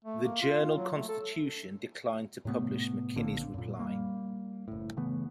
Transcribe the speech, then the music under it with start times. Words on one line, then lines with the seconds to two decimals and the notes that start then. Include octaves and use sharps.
The "Journal-Constitution" declined to publish McKinney's reply.
0.05 A3
0.23 A#3
0.42 F4
0.77 F#3
0.96 A3
1.09 A4
2.45 A2 C3 A3 B3
3.15 A#1 D3 A#3 C4
3.54 F#2 A#2
3.80 G3 A#3
4.68 F#1 A2
4.97 C#3 E3 A3 B3